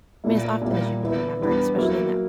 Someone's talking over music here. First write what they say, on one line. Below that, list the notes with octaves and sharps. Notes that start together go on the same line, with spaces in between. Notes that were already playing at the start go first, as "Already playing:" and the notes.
mean, as often as you can remember, especially in that
A#2 A#3 E4
A#2 G3 A#3 E4
E3 B3 E4
E3 G3 B3 D4
F#3 A#3 E4